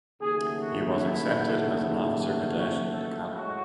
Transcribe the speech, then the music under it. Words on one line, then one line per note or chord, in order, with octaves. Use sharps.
He was accepted as an officer cadet in the cavalry.
D#2 C#3 F#3 A3 G#4
F#4
E4
C#4
A4
A2 G#3 F#4